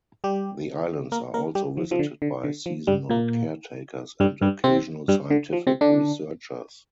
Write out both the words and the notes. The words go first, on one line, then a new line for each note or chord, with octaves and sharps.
The islands are also visited by seasonal caretakers and occasional scientific researchers.
G3 G4
A#3 A#4
A#3 A#4
G3 G4
F3
F3
D3
D3
D3
F3
G2 G3
A#2 A#3
G2 G3
G2 G3
C3 C4
G2 G3
D3
F3
C3 C4
D3 D4